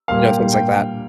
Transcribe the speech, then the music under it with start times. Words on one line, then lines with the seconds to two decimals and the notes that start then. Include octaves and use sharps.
You know, things like that.
0.08 A#2 G3 A#3 F5
0.22 G5
0.38 A#2 G3 A#3 G5
0.53 G5